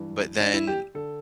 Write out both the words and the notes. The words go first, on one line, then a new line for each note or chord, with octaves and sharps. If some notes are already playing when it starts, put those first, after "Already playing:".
but then
Already playing: G2 E3
D4
E4
G4
D3 A4